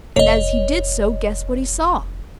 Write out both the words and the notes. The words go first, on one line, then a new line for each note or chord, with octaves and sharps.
And as he did so guess what he saw?
F1 C#5 D#5